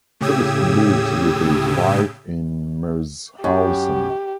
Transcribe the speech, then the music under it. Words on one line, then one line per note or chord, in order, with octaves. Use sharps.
Fürst lives with his wife in Merzhausen.
A2 C#3 G4 D#6 E6 G#6
F#2 G4